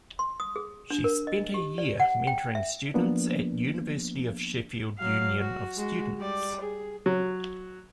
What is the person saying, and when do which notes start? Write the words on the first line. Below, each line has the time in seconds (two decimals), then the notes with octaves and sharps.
She spent a year mentoring students at University of Sheffield Union of Students.
0.19 C6
0.40 D#6
0.56 G#4
0.90 D4
1.04 A#4
1.27 D#5
1.54 G4
1.78 D5
2.00 F#5
2.27 G5
2.55 E5
2.94 F3 A#3 B3 D4
4.98 F#3 F5
5.39 F#4
5.77 G#3 F#4
6.18 G3 D5
6.61 G#4
7.06 F#3